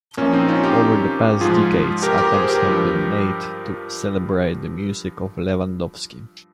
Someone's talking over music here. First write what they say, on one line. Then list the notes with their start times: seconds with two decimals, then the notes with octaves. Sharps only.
Over the past decades attempts have been made to celebrate the music of Lewandowski.
0.17 A#2 F3 A#3 C#4
0.33 C4 D#4
0.48 C#4 F4
0.64 D#4 G4
1.41 G#2 F3 F4 G#4
2.03 G4 A#4
2.18 G4 A#4
2.34 G#4 C5
2.49 G4 A#4
2.65 G2 F3